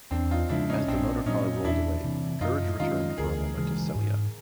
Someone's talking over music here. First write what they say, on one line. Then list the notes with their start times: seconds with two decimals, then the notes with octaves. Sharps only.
As the motorcar rolled away, courage returned for a moment to Celia.
0.11 E2 C4 D4
0.31 D#4 F4
0.49 C#3 F3 G#3 D4 E4
0.70 C#4 D#4
0.88 A#1 C4 D4
1.26 A#2 F#3 C#4 D#4
1.64 E2 D4 E4
2.04 C3 E3
2.41 F#2 D#4 F4
2.80 D#3 G#3 C#4 D#4 F4
3.18 D2 G#4 A#4
3.57 C#3 E3 G#3
3.95 G#2